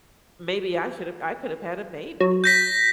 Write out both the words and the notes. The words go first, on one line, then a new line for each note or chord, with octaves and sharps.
maybe I should have I could have had a baby
F#3
G6 A#6 B6